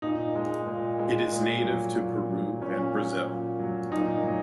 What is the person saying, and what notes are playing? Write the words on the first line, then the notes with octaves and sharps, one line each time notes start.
It is native to Peru and Brazil.
A#2 D#4
G#3
A#2
G#3
A#2
F#3
A#2
F#3
A#2 C#4
F#3
A#2
F#3
A#2 D#4
F#3